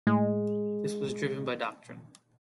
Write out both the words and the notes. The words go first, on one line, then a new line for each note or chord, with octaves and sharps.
This was driven by doctrine.
A2 G#3